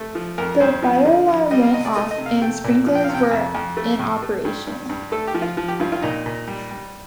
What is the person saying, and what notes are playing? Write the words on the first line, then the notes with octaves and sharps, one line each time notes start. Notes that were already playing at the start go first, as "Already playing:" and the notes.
The fire alarm went off and sprinklers were in operation.
Already playing: A3
F3
F2 A#4
G2 C5
F3
D3
F3
G3 D#5
F5
C3 D#5
D5
A3 D#5
D#5
C3
F5
A3 G5
A#2
F3
G5
F5
C3
G5
F2
F2
A3
A2
A3
G2
G2
G2
A3 A4
G4
F3
F4
F3
G4
G2 F4
F4
A#2 D#4
A#2
G3
G3